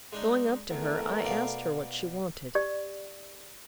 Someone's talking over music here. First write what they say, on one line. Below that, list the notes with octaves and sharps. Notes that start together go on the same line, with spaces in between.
Going up to her, I asked her what she wanted.
G#3 D4 D#4
E2 A3 A#4 B4
B2 D5 F5
G4 D5